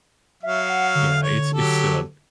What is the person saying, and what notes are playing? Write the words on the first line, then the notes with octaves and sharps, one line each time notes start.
Yeah, it's it's, uh
F#3 E5 F5
F#5
D3
C#5
F#3 G4 A4